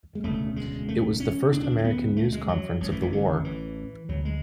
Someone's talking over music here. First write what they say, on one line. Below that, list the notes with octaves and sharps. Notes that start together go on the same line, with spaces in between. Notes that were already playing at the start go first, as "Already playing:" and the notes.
It was the first American news conference of the war.
G#3
E1 D2 C#3 A3
G#3
A3
C#4
D2 C#3 D4
D4
A3
B3
A3
G#3
F#3
A1 A2 F#3
E3
E3
D3
E3
D2 C#3 F#3
G#3